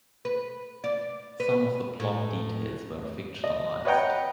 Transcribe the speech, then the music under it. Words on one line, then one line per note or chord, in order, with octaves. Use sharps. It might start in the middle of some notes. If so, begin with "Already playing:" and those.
Some of the plot details were fictionalized.
B4
D5
B4
A2
D#5
B4 C#5 D#5 F#5 G5 A#5